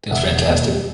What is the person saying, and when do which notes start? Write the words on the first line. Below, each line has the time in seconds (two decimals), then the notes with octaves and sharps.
It was fantastic.
0.11 E1 E5 F#5
0.30 E1
0.49 D#2
0.68 G3